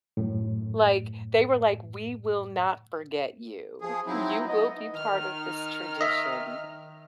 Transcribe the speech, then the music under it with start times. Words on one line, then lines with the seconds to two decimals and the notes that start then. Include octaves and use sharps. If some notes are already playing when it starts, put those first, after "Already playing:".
Like, they were like, "We will not forget you. You will be part of this tradition."
0.17 F#2 A2
3.81 F3 G#4
4.06 F#3 C4 D#4 E4
4.48 B3 D#5
4.95 D#3 F6
6.01 D#5 E5